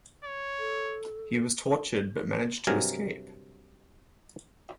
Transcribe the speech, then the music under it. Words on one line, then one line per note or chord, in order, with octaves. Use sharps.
He was tortured but managed to escape.
C#5
A4
G2 C3 F#3 A#4 G#5 A#5